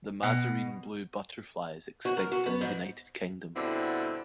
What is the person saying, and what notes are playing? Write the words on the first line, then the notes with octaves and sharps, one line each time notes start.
The Mazarine Blue butterfly is extinct in the United Kingdom.
B2
F#4
A#4
F#4
B3
G#2
B2 D3 G3 C4 E4